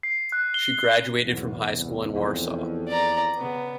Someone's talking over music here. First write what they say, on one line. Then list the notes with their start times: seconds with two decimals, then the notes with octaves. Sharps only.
She graduated from a high school in Warsaw.
0.03 C7
0.32 F#6
0.54 G7
1.23 B1 E2 G#2
1.70 C2
2.14 F2
2.89 D5 A#5
3.38 C#3 B3